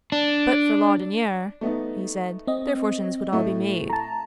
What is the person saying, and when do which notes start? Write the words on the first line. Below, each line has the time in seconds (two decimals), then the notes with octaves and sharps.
But for Laudonniere, he said, their fortunes would all be made.
0.12 D4
1.61 A3 B3 D#4
2.47 C4 D#5
3.32 A2 A3
3.90 A5 A#5